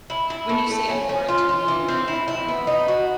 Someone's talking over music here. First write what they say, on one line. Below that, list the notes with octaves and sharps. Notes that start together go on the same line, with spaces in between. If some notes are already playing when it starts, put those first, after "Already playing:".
When you say a board, do you mean like, um,
E4
E4
A3
A3
C#4
C#4
F4
F4
E3
C4
E4
E4
B3
D#4
F#4